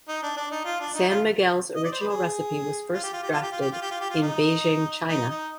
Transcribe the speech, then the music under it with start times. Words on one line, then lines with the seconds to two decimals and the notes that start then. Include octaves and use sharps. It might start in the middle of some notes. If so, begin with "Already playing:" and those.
San Miguel's original recipe was first drafted in Beijing, China.
0.08 D#4
0.23 D4
0.37 D4
0.51 D#4
0.65 F4
0.80 D4
0.94 D#4
1.09 F4
1.75 D#5
1.84 D5
1.92 C5
2.00 B4
2.08 G#4
2.93 F4
3.03 G4
3.13 F4
3.23 G4
3.32 F4
3.42 G4
3.52 F4
3.61 G4
3.72 F4
3.82 G4
3.91 F4
4.00 G4
4.10 F4
4.22 D#4
5.08 D#4
5.30 D#4